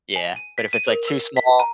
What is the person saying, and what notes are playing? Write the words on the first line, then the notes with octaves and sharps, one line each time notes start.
yeah, but if it's, like, too small,
G#5
D#7
B6
D#7
A#4
E6
B6
A#5